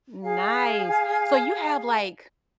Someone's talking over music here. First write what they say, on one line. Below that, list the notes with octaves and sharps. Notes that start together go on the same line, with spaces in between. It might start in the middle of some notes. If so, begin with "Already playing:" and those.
Nice. So you have, like,
G#4 F5